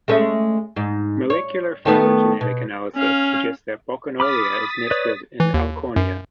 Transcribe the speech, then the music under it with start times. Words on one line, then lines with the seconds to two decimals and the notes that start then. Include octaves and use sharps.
Molecular phylogenetic analyses suggest that "Bocquillonia" is nested in "Alchornea".
0.08 G#3 A3 C#4
0.76 G#2
1.30 C#5
1.85 D#3 A3 B3
2.41 B2
2.96 C#4 F5
4.20 B5 D6 D#6 F6 A6 B6
4.91 B4 C#5 D5
5.40 E3
5.54 D#2
5.96 F#2